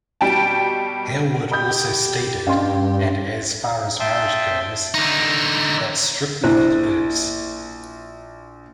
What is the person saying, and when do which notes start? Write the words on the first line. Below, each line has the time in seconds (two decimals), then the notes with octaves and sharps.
Hailwood also stated And as far as marriage goes-that's strictly for the birds!
0.21 B2 G3 G5 A5
1.51 G4 B5 D#6 G6
2.47 G2 C#4 D5 D#5 F5 C6
4.00 E5 G5 A5 C6 D#6
4.94 D3 D#4
6.44 A#1 E4 C5